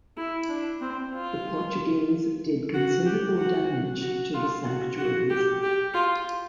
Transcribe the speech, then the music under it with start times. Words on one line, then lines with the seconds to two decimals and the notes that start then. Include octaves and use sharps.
The Portuguese did considerable damage to the sanctuaries.
0.17 E4
0.49 D4
0.81 C4
1.14 F4
2.74 F#4
3.05 G4
3.38 F#4
4.01 F#4
4.34 F4
4.65 F#4
4.98 F#4
5.29 G4
5.62 G4
5.94 F4